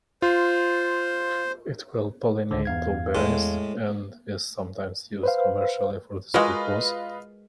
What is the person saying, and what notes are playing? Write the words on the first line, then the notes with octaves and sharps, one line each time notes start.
It will pollinate blueberries, and is sometimes used commercially for this purpose.
F4 C5
C#2 D3
E2 F5 G#6
A2 G#3
B4 C5 F5
G#3 F4 F#4 A#4 B4 D#5